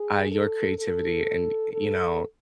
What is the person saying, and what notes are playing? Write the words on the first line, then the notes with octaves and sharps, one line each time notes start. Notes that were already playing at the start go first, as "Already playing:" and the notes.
uh, your creativity and, you know,
Already playing: G#4
A4
A4
A4